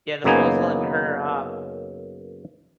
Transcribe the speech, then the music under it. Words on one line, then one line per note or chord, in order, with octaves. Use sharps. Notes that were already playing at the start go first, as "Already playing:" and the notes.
yeah, the phone's letting her, uh,
F#2 C#3 A#3 B3 D#4 G#5